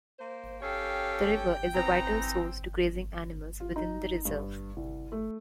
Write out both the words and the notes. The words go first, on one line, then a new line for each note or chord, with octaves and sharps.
The river is a vital source to grazing animals within the reserve.
A#3 C5
C#4 G4 A4 C#5 F5 G5
E3 C4 D#4 A#5
F4
D#4
G2
C2
A3